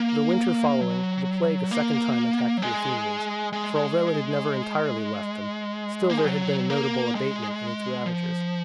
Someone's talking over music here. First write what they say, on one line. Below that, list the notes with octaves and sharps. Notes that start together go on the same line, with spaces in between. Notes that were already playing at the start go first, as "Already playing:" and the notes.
The winter following, the plague a second time attacked the Athenians; for although it had never entirely left them, still there had been a notable abatement in its ravages.
Already playing: A#3
F#3
A#3
F#3
G#3
G#3
A#3
G#3
F#3
A#3
G#3
F3